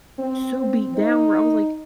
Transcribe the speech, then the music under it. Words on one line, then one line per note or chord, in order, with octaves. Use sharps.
so beat down where I was like,
C4
C4
D#4